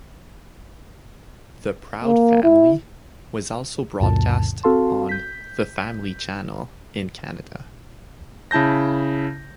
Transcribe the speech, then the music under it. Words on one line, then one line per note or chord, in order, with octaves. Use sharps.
"The Proud Family" was also broadcast on The Family Channel in Canada.
A#3
E4
C#2 F#2 A#2 D3 A5
C4 F#4 A4 F5 A5 C6
G6 B6
C#3 E4 A5 G6 A#6